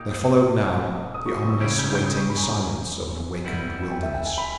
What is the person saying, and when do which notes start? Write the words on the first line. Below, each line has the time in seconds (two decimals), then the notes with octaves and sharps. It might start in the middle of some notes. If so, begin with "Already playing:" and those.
There followed now the ominous, waiting silence of an awakened wilderness.
Already playing: A#2 A#3 D#4 G4 D#6
0.10 D#6
1.14 D#6
1.26 C#6
1.38 D#6
1.49 E6
1.60 C#3 G3 C#4 E4 G4 G6
1.72 G#6
1.79 G6
1.84 G#6
1.95 G6
2.06 D#6
2.18 C#6
2.30 B5
2.37 G#5
2.41 A#5
2.53 G#5
3.45 G3 B3 E4
3.92 G5
4.03 E5
4.14 G5
4.26 G#5
4.38 B5